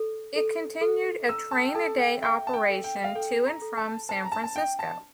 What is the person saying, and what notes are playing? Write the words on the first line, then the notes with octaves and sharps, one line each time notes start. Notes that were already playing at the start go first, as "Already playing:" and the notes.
It continued a train-a-day operation to and from San Francisco.
Already playing: A4
A4
A4
A#5 E6
A5
G5
A4 A5
G5
E5 G5
A5
G5
A4
G5
F5
A4 G5
A#5
A4
A5
C5 A5
A#5
A5
A5
D4 G5
A5